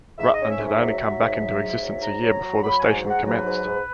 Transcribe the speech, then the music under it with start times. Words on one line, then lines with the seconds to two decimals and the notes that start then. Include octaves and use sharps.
Rutland had only come back into existence a year before the station commenced.
0.18 G#2 E5
0.34 D#5
0.39 C#4
0.49 E5
0.59 G#2 E5
0.80 F#3
1.00 F#3
1.20 G#2
1.40 F#3
1.61 G#2
1.82 F#3
2.01 G#2 A#5
2.22 F#3
2.43 F#3
2.63 F#3 B5
2.79 G#2 G#5
3.04 G#2
3.09 F#5
3.24 F#3 B4
3.45 G#2
3.65 G#2